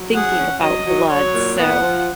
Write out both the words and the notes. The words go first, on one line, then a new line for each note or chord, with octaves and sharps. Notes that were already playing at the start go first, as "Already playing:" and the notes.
thinking about blood, so,
Already playing: F#3
G#4 F#5
C#4
F#3 D#5
F#3
F#3 C#5
A#2
B3 F#5
F3